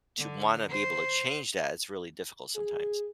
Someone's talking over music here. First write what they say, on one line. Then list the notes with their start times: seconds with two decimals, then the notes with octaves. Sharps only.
to wanna be able to change that, it's really difficult sometimes.
0.18 D3
0.69 C5
2.56 G#4